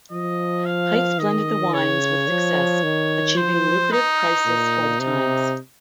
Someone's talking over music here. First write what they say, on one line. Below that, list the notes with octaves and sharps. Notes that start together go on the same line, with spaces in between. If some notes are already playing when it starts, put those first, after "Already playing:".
Heitz blended the wines with success, achieving lucrative prices for the times.
F3 D#5
F5
D#3 D#5
C#3 C#5
F3
D#3
F3 C5
D#4
A#2
C3 D#4